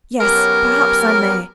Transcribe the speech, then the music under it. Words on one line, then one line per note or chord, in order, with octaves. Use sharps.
'Yes, perhaps I may.
F#3 B3 C#4 G4 A#4